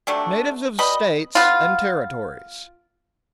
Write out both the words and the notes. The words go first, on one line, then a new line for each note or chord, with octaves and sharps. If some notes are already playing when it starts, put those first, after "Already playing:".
Natives of States and Territories.
C3 F#3 A3 D4
G3 B4 D#5 B5
B3 F4